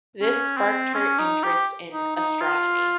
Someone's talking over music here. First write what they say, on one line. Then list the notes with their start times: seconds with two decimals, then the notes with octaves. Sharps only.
This sparked her interest in astronomy.
0.21 C#4
0.57 C4
0.95 C#4
1.19 D#4
1.44 G4
1.92 D#4
2.16 D#4
2.41 F4